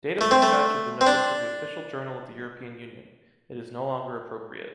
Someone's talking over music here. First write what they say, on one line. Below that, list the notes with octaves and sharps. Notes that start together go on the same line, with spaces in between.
Date of dispatch of the notice to the Official Journal of the European Union: it is no longer appropriate.
A3
C4
A3
C4
D4